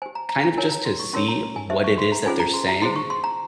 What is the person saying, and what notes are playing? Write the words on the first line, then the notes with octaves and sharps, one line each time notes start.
kind of just to see what it is that they're saying,
G4 C5 G#5
A#5
A#5
A#5
E4 A#4 C#5 G#5
A#5
C6
C#6
C#4 E4 A#4 C#5 C6
A#5
G#5
G4 C5 E5
C#6
C6
A#5
C#4 F4 G#4 C5 G#5
A#5
C6
A#5
E4 G#4 C5 C6
C#6
C6
A#5